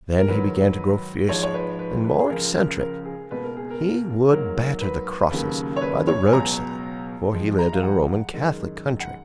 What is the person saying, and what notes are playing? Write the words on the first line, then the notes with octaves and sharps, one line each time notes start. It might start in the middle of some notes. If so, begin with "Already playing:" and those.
Then he began to grow fiercer and more eccentric; he would batter the crosses by the roadside; for he lived in a Roman Catholic country.
A#4
G#2 D#3 F#3 B4
G#2 F3 G#3 C#5
C#5
B4
B4
B4
G#4
C#2 C#3 F3 A#4
A#4
A#4
G#4
C#2 B2 A#3 B4
A#4
G#4
A#4
G#2 F#3 A#3 A#4
B4
D#2 C#3 F#3 A#3
C#5
B4
C#5
G#5
C#2 B2 F#3 A#5
F2 F3 G#3
A#5
F5
F#5
F#2 D#3 G#3
F#5